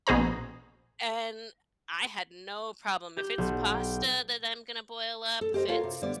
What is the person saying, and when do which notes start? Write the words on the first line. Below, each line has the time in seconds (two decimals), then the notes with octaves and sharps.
And, I had no problem, if it's pasta that I'm gonna boil up, if it's
0.07 A#1 B2 G#4 C5 A#5
3.17 G4 G6
3.38 B1
3.74 G5
5.41 A4
5.54 G4 A#4 C5 D#5
5.68 F4 F#4 A4 A#4 C#5 F5
5.83 C3
6.02 D3 G3 B3 D5